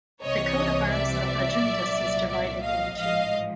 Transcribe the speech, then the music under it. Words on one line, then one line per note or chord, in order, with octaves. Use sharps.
The coat of arms of Adjuntas is divided in two.
C2 C3 E3 C#5 D#5
D5 E5
C2 A#2 F#3
D5 E5
D#5 F5
A1 G#2 F3 D#5 F5